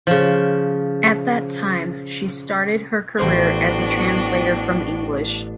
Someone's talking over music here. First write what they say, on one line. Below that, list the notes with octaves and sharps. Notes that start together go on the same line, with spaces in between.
At that time, she started her career as a translator from English.
C#3 F3
A1 B3 D4 F#4 C5 G5 G#6